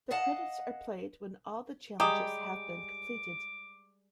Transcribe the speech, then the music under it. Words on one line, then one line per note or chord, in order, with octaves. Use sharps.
The credits are played when all the challenges have been completed.
D#5 F5 F#5 A5
G3 G#3 G4 G#4 A#5 D6 D#6